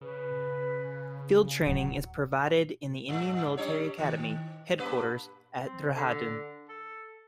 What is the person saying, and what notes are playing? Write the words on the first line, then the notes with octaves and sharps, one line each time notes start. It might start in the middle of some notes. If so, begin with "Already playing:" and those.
Field training is provided in the Indian Military Academy Headquarters at Dehradun.
C#3 B4
D1 F#3 F#5
G2
G3 D4 C#5
D#3
G2 A#3 B4
C4
D3
A4